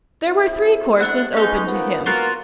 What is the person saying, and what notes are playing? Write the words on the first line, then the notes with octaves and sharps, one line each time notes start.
There were three courses open to him.
C3 E4
D4 F#5
B2 G#3 C#4 D#4
F3 A#3 B3
A#3 B3 F4 F#4 A#4